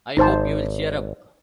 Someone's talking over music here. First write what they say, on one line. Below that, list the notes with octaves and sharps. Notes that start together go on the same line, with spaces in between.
I hope you'll cheer up.
G#1 D#4 C5 A5